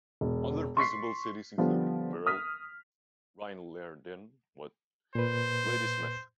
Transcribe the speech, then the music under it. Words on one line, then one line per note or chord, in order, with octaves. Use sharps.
Other principal cities include Merrill, Rhinelander, and Ladysmith.
E1
C6 C#6 B6 C7
D3 F3 G3 B3
D#6 F6 B6
A#2 B4 C5